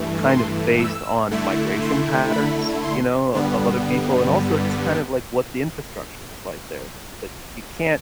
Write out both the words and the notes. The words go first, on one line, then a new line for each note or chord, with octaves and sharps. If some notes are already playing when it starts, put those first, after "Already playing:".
kind of based on migration patterns, you know, of of other people, and also just kind of, like, what the infrastructure was like there. But y you can't
Already playing: G2 E3 A3
C6
E6
D3 A3 E4
C6
B5
C6
G2 D3 G3 B3